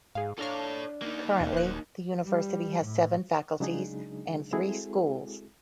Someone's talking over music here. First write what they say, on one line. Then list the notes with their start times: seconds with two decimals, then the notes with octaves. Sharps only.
Currently, the university has seven faculties and three schools.
0.15 G#2 G#4 F5
0.39 D4 A4 C#5 F5 A#5 F6
1.02 A#3 D#4
1.41 D#2 B2 D#3
1.53 D#1 C5 F#6
2.25 G3
2.84 A2
3.60 C#3 F#3 G#3 D4 D#4 G#4
4.53 G#3 C4 E4 F#4 G#4 A4